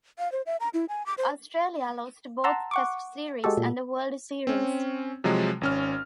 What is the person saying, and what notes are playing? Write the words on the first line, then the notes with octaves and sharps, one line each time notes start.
Australia lost both Test series and the World Series.
F5
C5
E5
A#5
E4
G#5
D6
C5
F#5 A5 A#5 C6 E6
F#5 C#6 D6
G#3 F#4 G4 A4
A#2
C4 C#4
C3 F3 F#3 G#3
G#1 C#4 F6